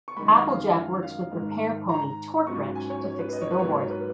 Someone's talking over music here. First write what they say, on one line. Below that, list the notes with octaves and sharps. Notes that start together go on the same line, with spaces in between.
Applejack works with repair pony Torque Wrench to fix the billboard.
C#6
F#2 D#3 G#3 B5
D#5
F5
F5
G#2 D#3 G#3
A#5
G#2 F#3 C#4 F4 C#6
G#5
C#5
C#5
B4
D#5
C#5
B4
G#2 F#3 A#3 F4 C#5
B4